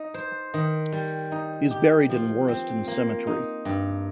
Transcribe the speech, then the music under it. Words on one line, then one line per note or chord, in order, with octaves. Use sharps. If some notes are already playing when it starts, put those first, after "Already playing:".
He is buried in Warriston Cemetery.
Already playing: D#4
C5
D#3
G3
D#4
G4
F3
C4
A#3
D#4
G2